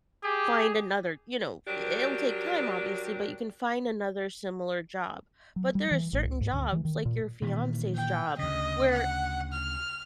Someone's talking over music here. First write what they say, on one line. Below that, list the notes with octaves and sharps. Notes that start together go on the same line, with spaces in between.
find another you know, i i it'll take time, obviously, but you can find another similar job. But there are certain jobs, like your fiancé's job where,
G4 G#4
F#3 G3 D4 G4 A#4
F#3
G3
E3
A1
C#2
G#2
D2
E3
D#3
A#2
A#2 D#3 E3
G5
D2 C#3 D#5
F#5
F6